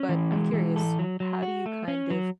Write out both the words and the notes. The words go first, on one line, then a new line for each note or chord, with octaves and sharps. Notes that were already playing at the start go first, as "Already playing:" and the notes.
but I'm curious, how do you kind of
Already playing: C#4
E3
G#3
E3
A4
F#3
F#3
F#4
A3
C#4
F#3